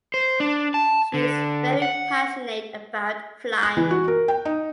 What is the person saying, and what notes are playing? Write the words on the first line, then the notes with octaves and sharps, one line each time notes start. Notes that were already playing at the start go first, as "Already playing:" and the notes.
She is very passionate about flying.
C5
D4
A5
D3
F#5
F#6
E3
F#4
A#4
G5
D#4